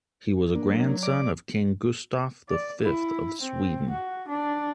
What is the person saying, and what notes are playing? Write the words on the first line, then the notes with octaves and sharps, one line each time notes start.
He was a grandson of King Gustaf the Fifth of Sweden.
A#3 D4
F#3
D5 D6
D5
E4
C4
F#4
D4